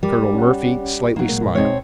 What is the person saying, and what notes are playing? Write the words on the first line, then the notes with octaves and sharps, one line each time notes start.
Colonel Murphy slightly smiled.
G3 A#4 D6
C#4 C#5 F#5
F#3 A#3 D#4
A#2 G#3 A#4
B2 G#3 C4 D#4 C#5 D#5